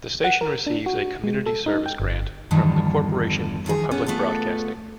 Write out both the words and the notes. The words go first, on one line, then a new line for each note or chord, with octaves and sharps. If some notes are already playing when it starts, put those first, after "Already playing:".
The station receives a Community Service Grant from the Corporation For Public Broadcasting.
F#5
A#4
D4
F#4
G#3
A4
D#4
G5
G1
E2 G2 D3 D#3 F3
D#3 F3 D#4 G#4
D3 B3 C#4
A3 B3 F4 A4